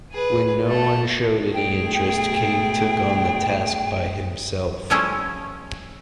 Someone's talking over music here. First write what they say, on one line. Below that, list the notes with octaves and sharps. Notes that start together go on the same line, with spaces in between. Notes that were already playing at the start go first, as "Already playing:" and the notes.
When no one showed any interest, Cave took on the task by himself.
G#4 B4
A3 A4
B2 A3 G#4 G5
F3 G3 A3 C#4 E4 G#4